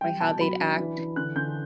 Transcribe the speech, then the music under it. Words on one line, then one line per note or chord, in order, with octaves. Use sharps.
like, how they'd act.
G3 G5
B2 A5
F#3 B5
D4
E3
E3
D3 F#6
D3 G6